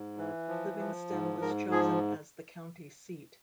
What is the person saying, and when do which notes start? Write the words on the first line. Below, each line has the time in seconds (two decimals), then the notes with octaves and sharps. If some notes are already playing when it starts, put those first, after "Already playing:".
Livingston was chosen as the county seat.
Already playing: G#2
0.17 E3
0.49 F3
0.79 F3
1.10 G#2
1.41 G#2 A#4
1.71 F3 G#4